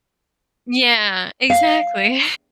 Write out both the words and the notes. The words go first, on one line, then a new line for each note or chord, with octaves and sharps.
Yeah, exactly.
F5